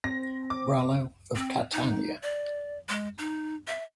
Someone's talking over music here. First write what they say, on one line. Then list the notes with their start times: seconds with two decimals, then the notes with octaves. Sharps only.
Rallo of Catania.
0.04 C4 A#6
0.50 D6
1.35 C4
1.73 D#4
2.22 D5
2.89 G#3
3.18 D#4
3.67 E5